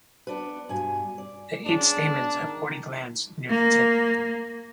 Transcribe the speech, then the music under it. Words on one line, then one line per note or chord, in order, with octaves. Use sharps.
The eight stamens have warty glands near the tip.
B3 D4 B4
G2 B2 G#5
D5
G#3 B3 C#4 D4
D#3
A#3